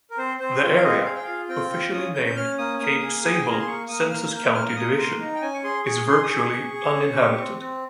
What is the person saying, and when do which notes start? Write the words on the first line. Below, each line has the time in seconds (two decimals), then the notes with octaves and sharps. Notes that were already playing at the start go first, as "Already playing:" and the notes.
The area, officially named Cape Sable Census County Division, is virtually uninhabited.
0.10 A#4
0.18 C4 C5
0.40 C4 C5
0.62 F4 C#5
0.77 F5
0.83 C4 D#5
1.05 G#4 F5
1.15 G5
1.24 F4 F5
1.49 C4 G5
1.71 F4
1.93 C#4 D#6
2.15 C#4 G6
2.26 G6
2.36 C#4 F6
2.58 A#3 D#6
2.80 A#3 D#6
3.02 G#4
3.24 G#4
3.33 G5
3.41 G#5
3.45 A#3
3.51 A#5
3.59 C6
3.67 A#3 C#6
3.89 A#3 D#6
4.11 A#3 F6
4.33 A#3 G6
4.54 A#3 F6
4.68 F6
4.76 A#3 D#6
4.92 A#5
4.98 A#3 C6
5.20 D#4 A#5
5.35 G5
5.42 C#4 G#5
5.54 C#6
5.64 G#4 C6
5.85 G#4 C#6
6.07 G#4 C6
6.23 D#6
6.28 G#4 C#6
6.50 G#4
6.73 G#4
6.94 C#4
7.17 G4
7.38 C4
7.60 C4